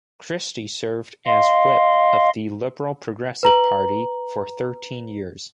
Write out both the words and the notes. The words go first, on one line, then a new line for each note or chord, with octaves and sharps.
Christie served as whip of the Liberal-Progressive party for thirteen years.
D#5 F5 C6
B4 A#5 F#7